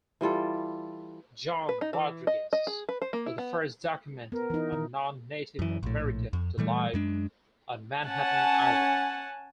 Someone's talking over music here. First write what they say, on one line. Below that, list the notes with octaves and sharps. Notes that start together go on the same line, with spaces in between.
Jan Rodrigues was the first documented non-Native American to live on Manhattan Island.
E3 G3 F4 A4
B4
D#4
E3
D#5
D#5
G#4
B4
C5
A#3
E4
B3
B3 A#4
E3 D#4
D#3
F#2 E3
A#1 A2
F2
A#2 E3 G3 A3
F#2 G#3 D4
C#4 F#5 G#5 A5